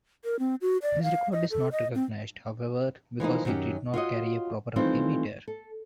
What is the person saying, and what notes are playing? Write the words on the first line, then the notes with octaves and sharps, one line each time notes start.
His record is not recognized, however, because he did not carry a proper altimeter.
A#4
C4
F#4
D5
F5
D#5
A4
D#5
C4
E3 F3 A#3 D#4
F#2 D#3 F#3 C#4 G4
F4 F#4 C#5 D#5
D#3 E3 G3 A3 C4 F4
A4